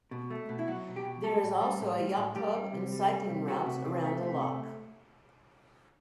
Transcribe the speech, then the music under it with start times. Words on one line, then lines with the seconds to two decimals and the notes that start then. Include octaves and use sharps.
There is also a yacht club and cycling routes around the loch.
0.11 B2
0.30 A3
0.49 B2
0.59 E4
0.67 F#3 F#4
0.87 B2
0.96 G4
1.05 B2
1.24 G3 A4
1.43 A2
1.61 G3
1.80 A2
1.98 G3
2.17 A2
2.36 G3 G4
2.55 G3
2.73 C3
2.92 G3
3.11 G3
3.29 C3
3.48 A3 F#4
3.66 C3
3.85 C3
4.04 A3
4.23 C3
4.41 A3